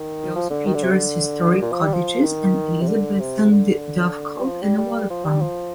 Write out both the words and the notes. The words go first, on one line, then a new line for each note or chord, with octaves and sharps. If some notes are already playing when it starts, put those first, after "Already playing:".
It also features historic cottages, an Elizabethan dovecote and a water pump.
Already playing: D#3
F3
D3
D#3
D3
C3
D3
A#2
F3
G3
F3
D#3
C3
D3
C3
D3
G3
F3
G3
G3
F3
G3
F3